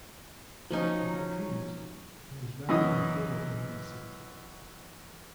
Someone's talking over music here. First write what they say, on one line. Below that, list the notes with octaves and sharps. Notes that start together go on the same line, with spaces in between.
Without treatment, it is rapidly fatal in infancy.
F3 F#3 C#4 D#4
F#2 E3 D#5 D#6